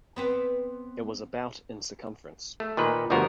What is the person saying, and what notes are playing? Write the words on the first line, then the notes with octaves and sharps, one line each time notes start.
It was about in circumference.
B3 C4 B4
A3
A#2 D#3 B4
G1 D2 F3 B3 F#4 A#4